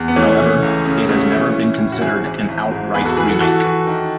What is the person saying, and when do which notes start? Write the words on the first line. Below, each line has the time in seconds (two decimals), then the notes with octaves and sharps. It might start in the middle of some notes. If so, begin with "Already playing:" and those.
However, it has never been considered an outright remake.
Already playing: E2
0.08 B3
0.16 E3 A3 C#4
0.40 E3
0.63 C#2
0.86 C#3
1.09 A1 A3 C#4
1.32 E3 C#4 E4
1.55 E3
1.78 A2
1.92 F#4
2.01 G#1 E4 G#4
2.25 E3
2.48 G#1
2.71 G#2
2.94 E2 G#4 B4
3.05 F#4 A4
3.17 E3 G#4 B4
3.29 F#4 A4
3.40 E3 F#4 A4
3.64 E3
3.87 D#3